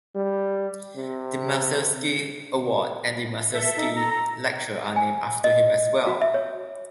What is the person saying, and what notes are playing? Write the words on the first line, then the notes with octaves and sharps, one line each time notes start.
The Masursky Award and the Masursky Lecture are named after him as well.
G3
C3
A4 E5
D#4
A4 A#5
A#5
G#5
D#5
F#4
E5
C#5